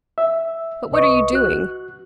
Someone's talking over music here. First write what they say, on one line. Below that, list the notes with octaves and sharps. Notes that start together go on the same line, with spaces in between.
But what are you doing?
E5
C2 B4 D#5 C#6
F#4 F#6